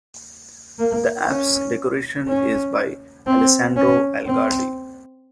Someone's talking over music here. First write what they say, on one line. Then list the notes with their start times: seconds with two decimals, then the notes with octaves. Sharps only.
The apse decoration is by Alessandro Algardi.
0.79 A#3
1.28 C#4
2.28 C#4
3.27 C4
3.76 C#4
4.26 C4